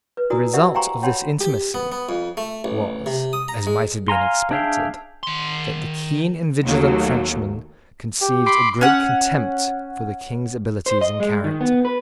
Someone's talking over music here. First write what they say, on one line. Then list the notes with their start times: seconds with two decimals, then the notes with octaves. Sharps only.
The result of this intimacy was, as might have been expected, that the keen and vigilant Frenchman conceived a great contempt for the King's abilities and character.
0.17 B4
0.30 E4 F#4 A#4 D5 G#5 D#6
0.53 G4 A#4 C5 D5 E5 F#5
0.74 F5 G5 G#5 A#5 C6 C#6
1.03 C#5 F#5 G5 A5 B5 C6
1.41 G4
1.74 B3
1.92 B3
2.09 F2
2.37 A3
2.64 A1
3.06 C3
3.33 D#6
3.48 A#5
3.67 G#3
4.08 F5 G#5 A#5 C6
4.51 D4 G#4 E5 F5 G5
5.23 D#3 C6
6.66 D#2 F#3 A3
8.22 G4
8.46 B5 C6 D6
8.81 C#4 F#5
10.86 C5
11.01 D#5
11.20 G#3
11.44 D#3
11.61 B3
11.85 B4